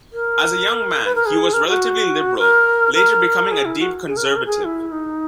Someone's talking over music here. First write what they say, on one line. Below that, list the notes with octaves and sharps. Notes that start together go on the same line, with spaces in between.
As a young man he was relatively liberal, later becoming a deep conservative.
A#4
B4
A#4
G#4
A#4
F#4
A#4
A#4
G#4
E4
F#4
G#4
A#4
G#4
A#4
G#4
E4
D#4